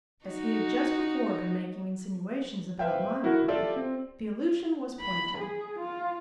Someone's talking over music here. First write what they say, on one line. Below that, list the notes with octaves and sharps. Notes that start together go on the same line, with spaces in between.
As he had just before been making insinuations about my wine, the allusion was pointed.
D#4 F#4
B4 C5 E5 F5 G5
E4 F#4 A#4 F#5
F4 G4 A4 D5 E5
C4
B5
G#4
F4